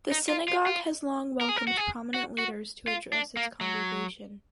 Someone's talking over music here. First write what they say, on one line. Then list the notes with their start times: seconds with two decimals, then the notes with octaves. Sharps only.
The synagogue has long welcomed prominent leaders to address its congregation.
0.12 D#4
0.29 F4
0.48 F4
0.67 F4
1.41 A#4
1.49 G#4
1.57 A#4
1.67 F#4
1.77 G#4
2.14 F#4
2.38 F#4
2.88 F4
3.13 D4
3.37 A#3
3.61 F#3